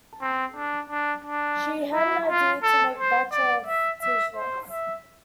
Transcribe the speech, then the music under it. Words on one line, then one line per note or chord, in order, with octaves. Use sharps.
She had the idea to make a batch of T-shirts.
C4
D4
D4
D4
E4
F4
A4
C5
D5
E5
E5
C5
E5